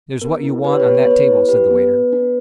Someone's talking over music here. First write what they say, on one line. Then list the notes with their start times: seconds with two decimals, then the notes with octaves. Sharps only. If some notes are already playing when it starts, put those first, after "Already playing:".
"There's what you want on that table," said the waiter.
0.22 B3 A#4
0.43 E4
0.64 G4 B4
0.72 C#5
0.80 B4
0.86 B3 C#5
0.95 B4
1.03 C#5
1.07 B3 B4
1.28 E4
1.49 G4 B4
1.71 B3
1.92 B3
2.13 D4